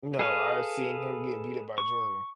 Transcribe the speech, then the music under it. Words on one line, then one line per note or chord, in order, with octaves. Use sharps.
No, I've seen him get beat up by Jordan.
G#4 A4 B4 D#5 F5
C#6